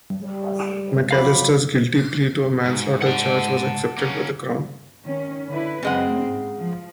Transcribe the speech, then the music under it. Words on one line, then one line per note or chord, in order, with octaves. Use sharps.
McAllister's guilty plea to a manslaughter charge was accepted by the Crown.
G3
F2 F#3 F5 B5 D6
G#2
F#5 A5
A#3 C#4
D#3 C#4
D3 E4 B4
F#2 C#3 G#3 C4 F#5
G#2
F3